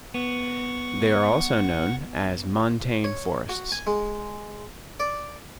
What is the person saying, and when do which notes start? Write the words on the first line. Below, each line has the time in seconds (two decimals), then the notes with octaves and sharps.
They are also known as montane forests.
0.14 B3 F#5 C#6
3.04 C#5
3.49 F#4
3.72 G#5
3.87 G#3
5.00 D5